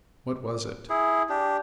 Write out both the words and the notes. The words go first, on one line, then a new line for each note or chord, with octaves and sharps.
What was it?
E4 G#4
D4 G4